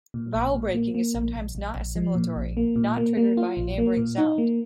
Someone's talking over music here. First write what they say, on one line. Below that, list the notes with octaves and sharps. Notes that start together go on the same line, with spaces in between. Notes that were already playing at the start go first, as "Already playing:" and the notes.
Vowel breaking is sometimes not assimilatory, not triggered by a neighboring sound.
A#2
A#1
A#2
A#3
A#3
A#1
A#1
A#1
A#1
F3
A#2
A#1
A#3
A#2
A#3
A#3
F4
A#1
A#3
A#2
D#4
A#3